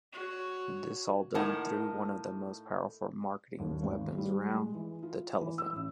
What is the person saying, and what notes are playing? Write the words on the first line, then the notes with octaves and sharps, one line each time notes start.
This all done through one of the most powerful marketing weapons around, the telephone.
F#4 C#5
A2 A#3 D#4 A#4 F#5 A5
D#2
G#1
G3
G#3
E3
F4
E3
E6
A1